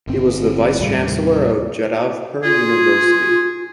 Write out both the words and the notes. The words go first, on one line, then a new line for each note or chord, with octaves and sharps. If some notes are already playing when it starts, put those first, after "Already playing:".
He was the vice chancellor of Jadavpur University.
G1 C4
D#2 A2 C3 G3
F4 G#4